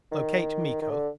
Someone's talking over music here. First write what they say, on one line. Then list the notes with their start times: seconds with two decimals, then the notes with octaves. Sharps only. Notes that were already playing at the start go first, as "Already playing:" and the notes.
Locate Miko.
0.12 D#3
0.82 D#3
0.91 D3